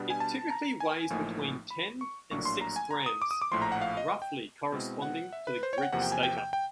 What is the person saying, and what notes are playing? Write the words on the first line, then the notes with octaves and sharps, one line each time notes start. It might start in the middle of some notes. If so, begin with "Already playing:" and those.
It typically weighs between ten and six grams, roughly corresponding to the Greek stater.
Already playing: B2 G3 B3 D4
G#5
A5
A#5
G#5
A1 A2 F3 A#3 D#4
B5
C#6
A#1 A2 F#3 A#3 D4 C#6
C6
A#5
G#5
A#5
D#6
D6
D#6
D6
A#1 A2 F3 C6
A#5
F#5
F5
D#5
G5
B2 G#3 C4 E4
F#5
E5
B4
C5
C#5 G5
F#5
E2 C3 F3 A#3 F#5
G5
G#5
G5
G5
G5